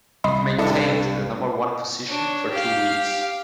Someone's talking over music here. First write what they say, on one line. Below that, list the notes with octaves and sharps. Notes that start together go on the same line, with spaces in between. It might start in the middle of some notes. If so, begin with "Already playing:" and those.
It maintained the number one position for two weeks.
C2 D#5 B5 C6
G2 E4 A4 D5 D#5
D4 C#5
G4 F5